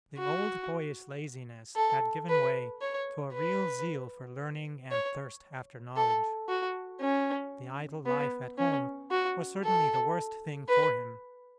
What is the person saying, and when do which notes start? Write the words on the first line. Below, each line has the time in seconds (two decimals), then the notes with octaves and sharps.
The old boyish laziness had given way to a real zeal for learning and thirst after knowledge. The idle life at home was certainly the worst thing for him.
0.18 F#4
1.76 A4
2.29 B4
2.81 C#5
3.34 B4
4.91 C#5
5.96 A4
6.49 F#4
7.01 C#4
8.06 B3
8.58 C#4
9.11 F#4
9.64 A4
10.69 B4